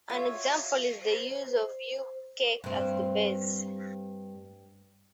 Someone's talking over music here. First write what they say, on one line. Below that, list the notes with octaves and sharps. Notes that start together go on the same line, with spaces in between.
An example is the use of ube cake as the base.
F4 F#4 C#5 E5
C5
G2 C4